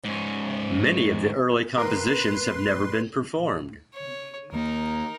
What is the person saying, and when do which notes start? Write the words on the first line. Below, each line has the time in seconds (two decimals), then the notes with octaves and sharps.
Many of the early compositions have never been performed.
0.05 G#2 C#4
1.78 A#4 B4 C6
3.94 C#5
4.52 D#2 A#3 D#4 A#4